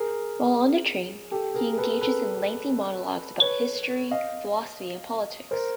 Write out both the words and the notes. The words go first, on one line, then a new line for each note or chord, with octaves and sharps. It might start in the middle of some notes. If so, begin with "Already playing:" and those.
While on the train, he engages in lengthy monologues about history, philosophy and politics.
Already playing: G#4 A#4
G4 A4
G#4 A#4
A4 B4
A4 B4
B4 C#5
D#5 F5
A#4 C5